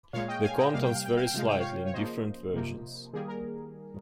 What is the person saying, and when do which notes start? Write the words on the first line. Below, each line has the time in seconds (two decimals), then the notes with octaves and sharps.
The contents vary slightly in different versions.
0.13 A#2 G#3 C#5 F5
0.28 D#5 G5
0.44 F5 G#5
0.58 D#5 G5
0.73 C3 G3 A#3 F5
0.84 G5
0.95 F5
1.06 G5
1.17 F5
1.27 G5
1.34 C3 F3 G#3 F5
1.49 G5
1.60 C#5 F5
1.86 C#5
1.93 C#3 F3 A#3 C5 D#5
2.54 C3 F3 A#3
3.13 D#3 G3 A#3 G#4
3.28 A#4